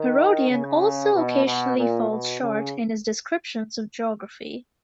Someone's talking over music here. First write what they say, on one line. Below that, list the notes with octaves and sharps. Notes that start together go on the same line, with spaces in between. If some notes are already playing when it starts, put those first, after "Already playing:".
Herodian also occasionally falls short in his descriptions of geography.
Already playing: D#3
C#3
B2
B2
A#2
B2
C#3